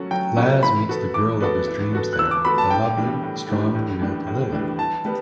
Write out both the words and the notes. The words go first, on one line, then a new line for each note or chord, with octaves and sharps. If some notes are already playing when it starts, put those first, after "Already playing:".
Laz meets the girl of his dreams there, the lovely, strong-willed Lily.
Already playing: F#3 C#4 F#4 A4
F#3 G5
C#4 F#4 A4
E3 B5
B3 F#4 A4
E3 D6
B3 F#4 A4
E3
B3 F#4 A4
F#6
E3 E6
D6
B3 F#4 A4 B5
A5
A2 G5
E3 G3 D4
A2
E3 G3 D4
A2
E3 G3 D4
A2
E3 G3 D4
E3 A5
G3 B3